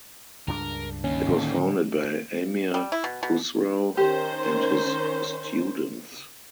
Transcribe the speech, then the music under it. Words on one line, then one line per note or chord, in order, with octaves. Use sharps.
It was founded by Amir Khusrau and his students.
C#2 G2 D4 A#4
D#2 C#4
A2 D3
G3
E4
B2
B2
D#3 C#4 G4 C5